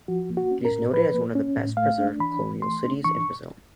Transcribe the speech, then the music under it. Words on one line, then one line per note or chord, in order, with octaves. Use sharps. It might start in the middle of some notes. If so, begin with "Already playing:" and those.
It is noted as one of the best-preserved colonial cities in Brazil.
F3 F#4
A#3
F#4
C#4
A#4
A2
F3 B4
A#3
C#4
A2
A3 F5
D4
E3 B5
E3
A3 C6
D4
E3 C#6